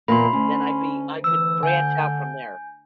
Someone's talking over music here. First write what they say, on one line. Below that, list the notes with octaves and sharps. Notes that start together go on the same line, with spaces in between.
Then I'd be I could branch out from there.
E2 A#2 A#3 B5 C6
D2 C#4
E3 E6
D3 G#5 G6